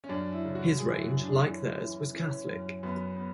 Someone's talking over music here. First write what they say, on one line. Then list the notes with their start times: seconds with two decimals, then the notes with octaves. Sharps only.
His range, like theirs, was Catholic.
0.04 C#4
0.09 F#2 D4
0.32 E4
0.44 C#3
0.55 F#4
0.78 F#2 G#4
0.93 E4
1.01 F#4
1.12 F#2
1.24 D4
1.46 E3 C#4
1.81 E3
2.14 E3 C#4
2.48 F#2
2.83 F#2 B3
3.17 B3